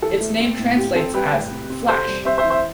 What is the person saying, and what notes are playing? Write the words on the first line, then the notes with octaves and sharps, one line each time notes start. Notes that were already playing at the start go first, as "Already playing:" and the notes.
Its name translates as "flash".
E3 A4
A3
C4
A2
C4 G4
C4 A4
G3 G4 B4
A2
C3
C4
C3 A4 C5
G3
C4 C5 E5
C5 E5
E3
C5 E5